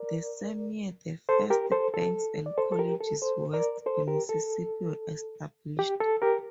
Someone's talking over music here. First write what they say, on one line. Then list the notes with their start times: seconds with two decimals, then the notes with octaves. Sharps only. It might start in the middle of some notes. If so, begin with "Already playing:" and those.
The same year, the first banks and colleges west of the Mississippi were established.
Already playing: A#4 D5
1.29 A4 C5
1.50 G4 A#4
1.72 A4 C5
1.94 A4
2.46 D5
2.58 A4 C5
2.72 A4
2.79 G4 A#4
3.01 A4
3.22 A4 C5
3.53 A#4 D5
3.86 A4 C5
4.07 G4 A#4
4.29 A4
5.79 G4
6.00 A4
6.22 G4 A#4